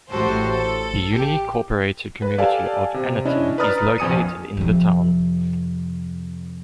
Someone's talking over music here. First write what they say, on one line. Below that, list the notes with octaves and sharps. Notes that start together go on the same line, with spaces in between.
The unincorporated community of Annaton is located in the town.
A1 A2 F#4 G4 A4 C5
A4
G4
B4
G4 A4 D5 F5 G#5 A5
C3
C#4 D4 E4 D#5
B4 D5 A#5 D#6 F6 A6
A#1 F2 G#5 D#6 C#7 D#7
F2 C3